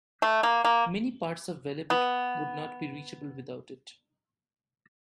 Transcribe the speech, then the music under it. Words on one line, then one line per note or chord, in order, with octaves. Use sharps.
Many parts of Velebit would not be reachable without it.
A3
A#3
A#3
B3